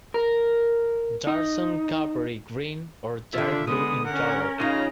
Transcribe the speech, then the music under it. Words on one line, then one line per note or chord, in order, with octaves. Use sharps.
Dorsum coppery green or dark blue in color.
A#4
D#4
D3 D#3 D4 F4 E5
D3 G#3 B3 D#6
C#4 A#4 F#5
C#3 D#4 F4 A#5